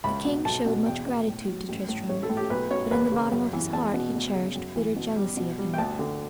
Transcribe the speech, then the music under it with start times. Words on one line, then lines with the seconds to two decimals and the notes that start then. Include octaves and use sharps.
The king showed much gratitude to Tristram, but in the bottom of his heart he cherished bitter jealousy of him.
0.04 C#2 B5
0.24 B2
0.45 B1 A5
0.66 B2
0.86 E2 G5
1.06 B2
1.27 A2
1.48 F#3
1.68 A1
1.89 A2
2.09 A1 C#5
2.23 A4
2.29 A2
2.37 G4
2.50 B1 B4
2.71 B2 C#5
2.91 E2 B4
3.12 C#3
3.32 F#2
3.53 E3
3.73 E2 A5
3.94 B2
4.15 D2
4.35 C#3
4.55 F#2
4.76 E3
4.96 B2
5.17 G3
5.37 B2
5.58 G3
5.74 G5
5.78 D2 A5
5.99 D3